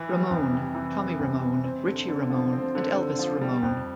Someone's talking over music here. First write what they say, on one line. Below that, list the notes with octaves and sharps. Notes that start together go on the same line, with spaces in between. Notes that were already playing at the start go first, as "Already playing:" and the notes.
Ramone, Tommy Ramone, Richie Ramone, and Elvis Ramone.
Already playing: E3
G3
F2
C3
E3
G3
F2
C3
C4
D3
D3
F3
C4
D3
D3
F3
G3
F2